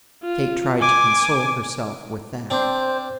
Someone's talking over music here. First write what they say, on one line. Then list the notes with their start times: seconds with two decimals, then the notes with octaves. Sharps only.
Kate tried to console herself with that.
0.24 F4
0.81 G#5 D6
2.50 C4 D4 C5